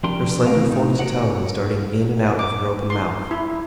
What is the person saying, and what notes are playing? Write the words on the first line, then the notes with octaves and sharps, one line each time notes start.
Her slender forked tongue was darting in and out of her open mouth.
F2 D4 G4 A#4 C6
A3 A#4 F5
A2 D#4
F#4 A#4 C#5 F#5
D6
C6
E4